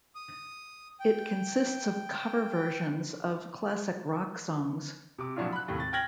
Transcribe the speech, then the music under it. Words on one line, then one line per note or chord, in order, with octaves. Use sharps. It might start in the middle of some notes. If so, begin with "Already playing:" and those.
It consists of cover versions of classic rock songs.
D#6
G5
C3 D6
A#2 F3 F#3 D4 E4 F4
B5 F#6
D#2 A2 C3
A6
G5 F6 G#6 A#6 F#7